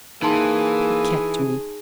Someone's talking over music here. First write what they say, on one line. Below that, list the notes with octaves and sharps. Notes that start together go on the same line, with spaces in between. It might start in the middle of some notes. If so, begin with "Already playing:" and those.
"He kept me."
E3 A#3 D#4 G#4 A5 C6